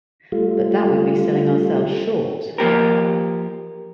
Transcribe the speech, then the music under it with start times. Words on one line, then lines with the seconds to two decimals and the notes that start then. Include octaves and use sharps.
But that would be selling ourselves short.
0.32 G3 A3 F4
2.58 F3 A#3 G4 A#4